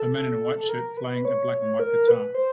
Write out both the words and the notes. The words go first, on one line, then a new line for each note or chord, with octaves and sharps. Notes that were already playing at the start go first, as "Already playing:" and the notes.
A man in a white shirt playing a black and white guitar.
Already playing: A4
A#4
B4
C#5
A#4
B4
C5